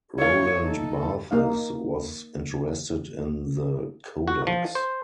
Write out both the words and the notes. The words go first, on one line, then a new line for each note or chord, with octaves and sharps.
Roland Barthes was interested in the Codex.
E4 F4 C#5
D#4 A4
A#3 D#4 F5
F#4
F3
C5